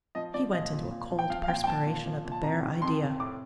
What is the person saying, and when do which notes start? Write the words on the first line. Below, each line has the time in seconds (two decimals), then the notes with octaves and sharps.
He went into a cold perspiration at the bare idea.
0.15 F3 D#5
0.34 F3 D5
0.53 A#2 D#5
0.73 A#2
0.91 A#2
1.10 F3
1.19 G5
1.30 F3 F5
1.43 F5
1.48 A#2 G5
1.64 G5
1.67 F3 A5
1.86 A#2
2.06 F3
2.25 A#2
2.32 A5
2.43 C3 A#5
2.63 D#3
2.82 F2 C6
3.01 C3
3.19 A2 D6